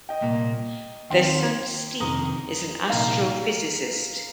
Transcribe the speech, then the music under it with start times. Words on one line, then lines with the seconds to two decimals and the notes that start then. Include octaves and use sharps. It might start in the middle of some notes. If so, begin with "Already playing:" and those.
Their son Steen is an astrophysicist.
0.09 D#5 G5
0.21 C2 A#2 A#3
1.10 D#2 D#3 C4 F4 G5 C6
2.00 F2 C3 D#3 A#5 D#6
2.90 C2 A#2 F3 A#3 D#4 F5 A#5